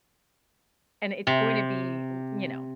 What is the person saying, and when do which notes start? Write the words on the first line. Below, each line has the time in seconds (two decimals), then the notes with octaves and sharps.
and it's going to be u you know,
1.27 C3